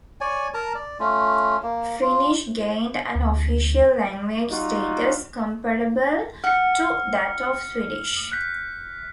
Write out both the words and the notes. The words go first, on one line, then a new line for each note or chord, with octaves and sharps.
Finnish gained an official language status comparable to that of Swedish.
C#5 D5 G#5
A#4 A5 A#5
D5
A3 C#4 F4
A#3
F4
D2
G3 D#4 F4 F#4
F#5 F6 C#7
F#6 G6 B6